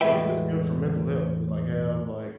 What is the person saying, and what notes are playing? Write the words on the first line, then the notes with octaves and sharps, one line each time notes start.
I guess it's good for mental health to, like, have, like,
E2 A2 G#3 B4 E5 G5